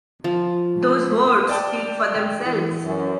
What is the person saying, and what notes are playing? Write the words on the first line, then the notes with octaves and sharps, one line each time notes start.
Those words speak for themselves.
F3
D5 G5 A5
E3
F#2